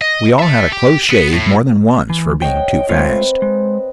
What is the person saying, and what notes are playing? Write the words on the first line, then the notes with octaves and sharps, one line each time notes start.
We all had a close shave more than once for being too fast.
D#5
E5 A5
G4
B3
A2
E3
C#5 D#5 F#5 G5
G#3 A3 C4 F4 B4
G#3